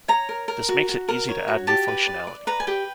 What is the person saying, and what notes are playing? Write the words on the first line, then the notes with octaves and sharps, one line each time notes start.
This makes it easy to add new functionality.
C#5 A#5
A#4
A#4
F#4
F#4
A#4
C#5
F#4
G4 A5
B4
D5
D5
B4 A#5
G#5
G4 G5